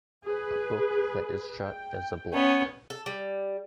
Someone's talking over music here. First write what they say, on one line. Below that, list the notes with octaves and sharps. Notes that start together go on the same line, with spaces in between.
A book that is shut is a block.
G#4 B4
G5
B3 C#4
A4
G3